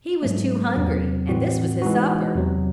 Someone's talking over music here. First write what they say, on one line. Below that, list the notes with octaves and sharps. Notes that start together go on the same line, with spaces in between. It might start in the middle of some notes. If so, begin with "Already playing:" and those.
He was too hungry, and this was his supper.
G#2 F#3 A3
E2 C3 F#3 C4
A2 E3 C4 F#4
E3 G#3 D#4 F#4
E2 C3 F#3